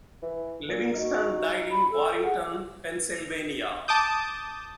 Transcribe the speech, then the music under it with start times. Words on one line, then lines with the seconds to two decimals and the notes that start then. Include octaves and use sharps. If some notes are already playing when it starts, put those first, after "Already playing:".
Livingston died in Warrington, Pennsylvania.
0.23 E3
0.68 A#2
0.95 D#4 F#4
1.71 B5
1.91 A4
2.24 G#4 F#5
3.88 A5 D6 D#6 G6